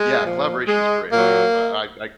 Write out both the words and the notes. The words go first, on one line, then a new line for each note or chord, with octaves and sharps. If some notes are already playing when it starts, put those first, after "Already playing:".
Yeah. Collaboration's great. Uh, I I
Already playing: G#3
A#2 F3
G#3
A#2 F#3 A#3